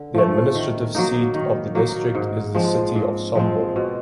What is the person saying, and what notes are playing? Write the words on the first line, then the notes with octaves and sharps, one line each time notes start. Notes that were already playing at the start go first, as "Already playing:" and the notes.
The administrative seat of the district is the city of Sombor.
Already playing: D3
F3 A3
D#3
F#3 A#3 D#4
D#3
F#3 A#3 D#4
G#2
F3 G#3 C4
G#2
F3 G#3 C4
B2